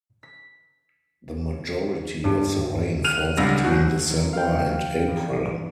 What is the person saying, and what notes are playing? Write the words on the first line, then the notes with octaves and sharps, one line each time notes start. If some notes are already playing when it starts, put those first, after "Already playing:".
The majority of the rain falls between December and April.
B6
G2
F6 F#6 D#7 F7
C#2 G2 D3 E6 A#6
D1 F#4
F3 A#3
F5 G5
G2 E3